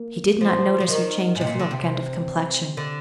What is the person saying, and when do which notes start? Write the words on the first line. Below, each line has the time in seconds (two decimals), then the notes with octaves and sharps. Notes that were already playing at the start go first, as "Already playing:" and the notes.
He did not notice her change of look and of complexion.
Already playing: A#3
0.41 F3
0.80 F3
0.88 D#3
1.35 G#2
1.41 C3
1.47 A#2
1.59 D3
1.71 C3
2.77 D3